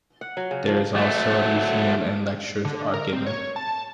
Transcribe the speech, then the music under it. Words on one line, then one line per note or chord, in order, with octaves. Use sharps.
There is also a museum, and lectures are given.
F#5
F#3
C#3
F3
F#3 A3
D3
A#4
C4
C#5
A5